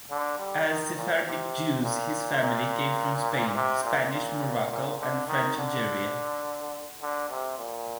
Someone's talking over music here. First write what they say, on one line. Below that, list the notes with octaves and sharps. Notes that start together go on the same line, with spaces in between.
As Sephardic Jews, his family came from Spain, Spanish Morocco and French Algeria.
D3
G3
D#3
A#2
C3
A#2
A#2
C3
A#2
A#2
A#2
D3
D#3
D3
D3
C3
A#2